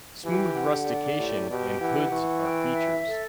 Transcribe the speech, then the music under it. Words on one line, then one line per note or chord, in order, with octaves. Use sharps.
Smooth rustication and hoods are features.
E3 G4
F#5
D3
D5
A2 G4
B2 G4
E3 F#5
E3 C#6
G5
E5
A4